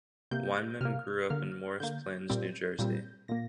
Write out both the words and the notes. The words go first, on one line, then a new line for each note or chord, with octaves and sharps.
Weinman grew up in Morris Plains, New Jersey.
C3 A#3 G6
C3 A#3 F6
D3 A#3 F6
D3 A#3 G6
A#2 G3 C4
A#2 G3 C4
A#2 A#3 A#6